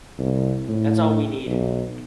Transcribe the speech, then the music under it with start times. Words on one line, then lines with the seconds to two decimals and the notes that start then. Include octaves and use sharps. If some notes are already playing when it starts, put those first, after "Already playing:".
That's all we need.
0.19 C2
0.68 A2
1.46 B1